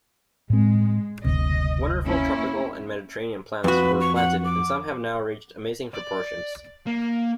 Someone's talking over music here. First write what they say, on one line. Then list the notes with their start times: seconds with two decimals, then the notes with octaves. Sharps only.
Wonderful tropical and Mediterranean plants were planted and some have now reached amazing proportions.
0.50 A2 G#3 C4
1.25 F#1 D2 C3 D#5
2.04 A#3 C#4 E4
3.64 F2 F#4 B4
4.01 C#6
4.15 F#5
4.45 D6
5.94 D5
6.87 A#3